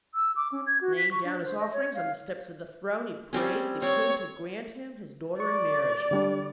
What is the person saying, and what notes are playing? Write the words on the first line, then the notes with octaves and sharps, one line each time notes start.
Laying down his offerings on the steps of the throne, he prayed the king to grant him his daughter in marriage.
E6
D6
C#4
G#6
F#4
B6
C#6
D4
C5
D#5
C#5
F5
G3 C4 C#4
C4 C#5
D5 C#6
D3 G3 D4